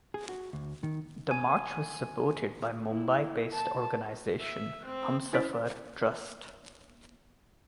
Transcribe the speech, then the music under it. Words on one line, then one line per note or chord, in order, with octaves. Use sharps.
The march was supported by Mumbai based organisation Humsafar Trust.
G#4
F#4
D2
D#3
G#5
E4
A5
E5
C4
C#4 E4 C5 A6 B6 D7